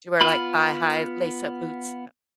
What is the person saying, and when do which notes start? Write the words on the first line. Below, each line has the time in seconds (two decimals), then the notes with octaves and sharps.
Did you wear, like, thigh high lace up boots?
0.21 B3 F4 B5